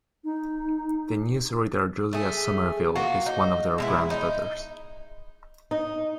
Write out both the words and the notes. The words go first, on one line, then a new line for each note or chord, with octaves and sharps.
The news reader Julia Somerville is one of their granddaughters.
D#4
A3 G#4
A#3 F4 F#4
D#4
B2 G#3 E4
D#4
D#4